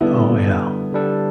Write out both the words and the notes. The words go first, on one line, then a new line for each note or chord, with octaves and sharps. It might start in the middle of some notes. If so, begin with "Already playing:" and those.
Oh yeah,
D3 G3 B3 D4 E4 A4
D3 G3 D4 A4